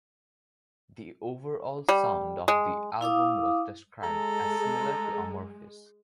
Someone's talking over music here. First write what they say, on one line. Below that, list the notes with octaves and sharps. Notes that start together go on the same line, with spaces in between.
The overall sound of the album was described as similar to Amorphis.
G3
G#3
E4 F5 D6 D#6
G#3 A4 A#5